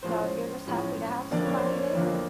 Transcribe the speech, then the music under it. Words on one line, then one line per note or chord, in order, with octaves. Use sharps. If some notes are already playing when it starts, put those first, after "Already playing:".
No, you're just happy to have somebody there.
A2 F3 G#3 C#4 C5
A2 F3 G#3 C#4
F2 D3 F3 A#3 D4 D5
C#5
C5
C#5
F2 D3 F3 A#3 D4